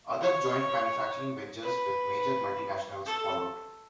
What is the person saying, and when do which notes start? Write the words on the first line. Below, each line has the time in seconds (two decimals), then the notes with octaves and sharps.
Other joint manufacturing ventures with major multinationals followed.
0.21 C#5
1.63 B4
3.06 A4